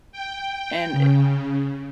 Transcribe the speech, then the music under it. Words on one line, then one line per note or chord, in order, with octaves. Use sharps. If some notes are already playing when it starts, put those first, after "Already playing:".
And, eh,
G5
C#3